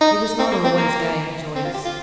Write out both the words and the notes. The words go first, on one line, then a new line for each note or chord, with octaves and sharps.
He was not always gay and joyous.
D#4
C4
A#3
C4
A#3
C4
F4
G4
F4